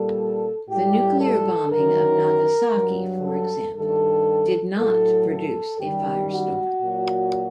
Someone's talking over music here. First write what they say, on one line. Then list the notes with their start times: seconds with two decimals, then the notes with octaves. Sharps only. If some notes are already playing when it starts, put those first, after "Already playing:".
The nuclear bombing of Nagasaki for example, did not produce a firestorm.
Already playing: A#2 G3 A4
0.70 A2 G3 G4
1.21 A4
1.72 F#2 D#3 F#3 A#4
2.74 G2 F#3
3.25 A4
3.76 G2 D#3 G3 A4
4.78 A2 F#3 A4
5.29 A4
5.80 F#2 D#3 G3 G4
6.31 F#4
6.82 A#2 F#3